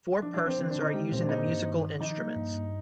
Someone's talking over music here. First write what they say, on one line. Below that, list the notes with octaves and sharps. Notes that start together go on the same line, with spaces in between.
Four persons are using the musical instruments.
F3 D4
D4
F3
C4
D3 C4
D4
D3
D#4
G#3 G4
A#2 C4
D4
A#3 D#4
G2
D#3
D#3
F3 D#4
A#3
G2
G2